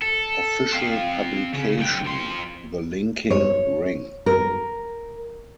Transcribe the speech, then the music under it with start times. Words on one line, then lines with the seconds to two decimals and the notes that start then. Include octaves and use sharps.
Official publication "The Linking Ring".
0.02 A4
0.74 C4 F5
1.53 C#3
1.77 B1 G5
2.05 F2 C6
3.30 C#5
4.26 A#4